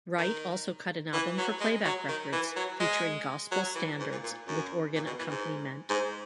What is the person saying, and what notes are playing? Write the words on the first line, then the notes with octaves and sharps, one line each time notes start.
Wright also cut an album for Playback Records featuring gospel standards with organ accompaniment.
D#3
E3
F#3
G#3
F#3
D#3
E3
F#3
G#3
F#3
E3
G#2
A#2
A#2
F#2
A#2
B2
E3
G#2
G#2